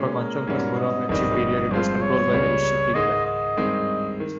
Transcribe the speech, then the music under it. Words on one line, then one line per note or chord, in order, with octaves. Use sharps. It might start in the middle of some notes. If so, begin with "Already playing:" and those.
For much of the Muromachi period it was controlled by the Isshiki clan.
Already playing: A#2 G#3 C#4
A#4
G#2 G3 C#4
D#5
G1 F2 D#3 G3 C4 D#5
G2 F3 G#3 C4 F4 C5
C#5
C#2 C#3 G3
G#2 D#3 G#3 D#5
D#5
G2 D#3 G#3 C4
D#3